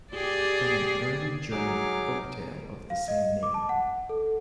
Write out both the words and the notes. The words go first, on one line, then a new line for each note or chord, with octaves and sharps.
From an early German folk tale of the same name.
G4 G#4 D5
F#3 D#4 G#4 D6 F6
F5
D#5
D6
A5
F#5
A4